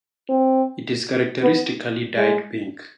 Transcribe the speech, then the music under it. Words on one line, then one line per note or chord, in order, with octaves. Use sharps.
It is characteristically dyed pink.
C4
B3
G#3